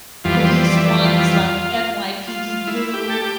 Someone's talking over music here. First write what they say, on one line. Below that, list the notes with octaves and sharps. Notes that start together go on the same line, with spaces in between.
police ones, like, NYPD Blue
F2 E3 G3 F4
C5
D5
E5
D5
F4
F4
E4
G4
A4
G4